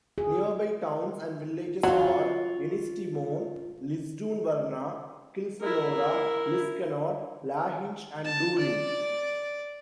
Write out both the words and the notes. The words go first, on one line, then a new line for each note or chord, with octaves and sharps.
Nearby towns and villages are Ennistymon, Lisdoonvarna, Kilfenora, Liscannor, Lahinch and Doolin.
G#4
F#3 F4 C#5
E4 A#4
A5
D5